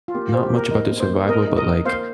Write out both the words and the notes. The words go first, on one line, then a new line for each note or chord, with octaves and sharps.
not much about the survival, but, like,
F4
A#3 G4
F4
C5
G4
A#3 A#4
D#4 A#4
A#3
C5
A#3
A#3 A#4 D#5
D#4
A#4 D#5
A#3
A#3 C5 F5